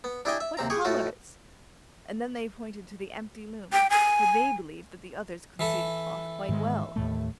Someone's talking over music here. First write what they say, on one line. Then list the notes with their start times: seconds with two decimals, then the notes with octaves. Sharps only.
What colours!' And then they pointed to the empty loom, for they believed that the others could see the cloth quite well.
0.04 B3
0.25 D4 E4 G4 D#5 G5 G#5
0.40 E5
0.57 D#2 C3 C4 A#5
0.70 G4 G#4 G#5 C#6
0.85 A2 A3 F4 F#4
3.73 G5
3.90 G#5
5.59 E3 E4 A4
6.49 G#2 D#3 G#3
6.96 D#2 A2 A3